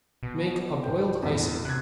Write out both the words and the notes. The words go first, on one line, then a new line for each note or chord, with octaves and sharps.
Make a boiled icing.
B2
B1 C5 G5
E2 A2 B6
C3 F#6 G#6